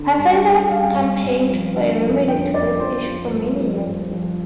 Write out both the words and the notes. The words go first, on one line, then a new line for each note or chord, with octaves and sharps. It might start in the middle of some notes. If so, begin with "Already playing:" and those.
Passengers campaigned for a remedy to this issue for many years.
Already playing: D3
G2
G5
G3
G3 F5
G2
G2
F3
D3
F2
D3 G5
F2 D5
F2 C5
F3
G2
F3
G2
F3